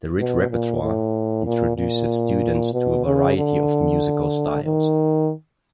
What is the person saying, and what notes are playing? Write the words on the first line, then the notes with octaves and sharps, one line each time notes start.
The rich repertoire introduces students to a variety of musical styles.
B2
A#2
A2
A#2
A#2
B2
C#3
D3
D#3